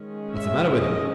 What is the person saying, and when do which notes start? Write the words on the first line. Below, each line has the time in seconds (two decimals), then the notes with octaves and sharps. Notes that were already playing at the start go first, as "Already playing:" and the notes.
"What's the matter with him?"
Already playing: D#3 G#3 C#4
0.35 E5
0.78 D#5